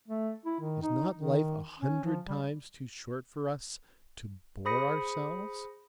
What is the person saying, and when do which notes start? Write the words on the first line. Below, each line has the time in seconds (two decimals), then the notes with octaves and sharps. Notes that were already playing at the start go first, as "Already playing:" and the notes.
Is not life a hundred times too short for us--to bore ourselves?
0.08 A3
0.45 E4
0.60 D#3
0.83 D#4
1.15 D#3
1.80 C#4
2.04 F3
2.27 G3
4.65 G#4 C5 B5 D#6 A#6 C#7